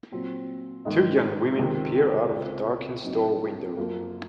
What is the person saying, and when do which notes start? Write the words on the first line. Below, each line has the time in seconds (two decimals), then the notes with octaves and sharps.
Two young women peer out of a darkened store window.
0.12 A#2 F#3 C4
0.85 G#2 D#3 G#3 D#4
1.58 C#2 C3 D#3
2.31 C#2 C#3 G#3 C4
3.04 C2 C3 F#3 A#3 D#4
3.77 F#2 F3 A#3